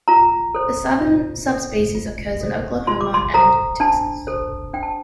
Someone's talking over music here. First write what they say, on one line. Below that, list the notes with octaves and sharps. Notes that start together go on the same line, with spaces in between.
The southern subspecies occurs in Oklahoma and Texas.
F4 A#5
A4 C5
F4
A4 C5
F4
A4 C5
F4 C6
D6
C6
A4 C5 A#5
D4 A5
A4 C5
D4 G5
A5